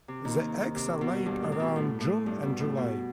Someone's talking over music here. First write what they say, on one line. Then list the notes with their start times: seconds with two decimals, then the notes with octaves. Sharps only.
The eggs are laid around June and July.
0.08 C3
0.25 D#2 D#3
0.76 C3
1.01 B2
1.26 G2
1.42 A2
1.52 C3
1.60 B2
1.76 A2
2.01 A2
2.26 G2
2.43 B2
2.60 A2
2.77 B2